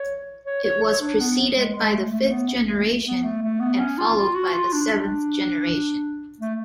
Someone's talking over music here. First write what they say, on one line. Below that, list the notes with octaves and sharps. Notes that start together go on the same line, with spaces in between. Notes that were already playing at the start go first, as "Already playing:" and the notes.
It was preceded by the Fifth Generation, and followed by the Seventh Generation.
Already playing: C#5
C#5
C#5
C#5
D4
B3
G#3
G#3
A3
A3
B3
C#4
A3
B3
A3
A3
B3
C#4
F4
F4
F#4
F4
D4
D4
A3